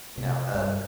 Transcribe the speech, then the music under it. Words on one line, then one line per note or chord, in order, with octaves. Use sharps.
you know, a
C3
G2